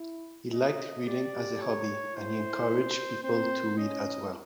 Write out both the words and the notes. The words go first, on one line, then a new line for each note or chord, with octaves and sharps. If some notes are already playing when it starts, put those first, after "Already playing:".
He liked reading as a hobby and he encouraged people to read as well.
Already playing: E4
D#5
G4 D5
C#5
E4 C5
C4 C5
C#4 D#5